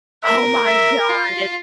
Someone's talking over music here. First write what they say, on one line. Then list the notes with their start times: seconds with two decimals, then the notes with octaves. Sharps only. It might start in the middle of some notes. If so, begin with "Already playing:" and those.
Oh my god!
0.24 A#4 E5
0.66 E5
1.09 F4